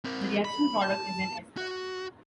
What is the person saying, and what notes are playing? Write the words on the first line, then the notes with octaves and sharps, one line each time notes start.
The reaction product is an ester.
C4 A#4
B5
A5
F#4